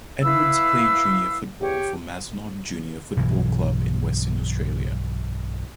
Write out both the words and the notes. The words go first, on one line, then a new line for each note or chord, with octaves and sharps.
Edwards played junior football for Mazenod Junior Football Club in Western Australia.
E4 B4 F5 E6
G4 C#5
B1 G2 E3